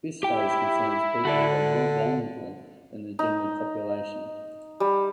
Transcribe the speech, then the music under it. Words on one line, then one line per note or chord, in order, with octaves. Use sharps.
This phase concerns people who are more vulnerable than the general population.
E4 G4 G5
D3 F#4 A4 D5
D#4
G3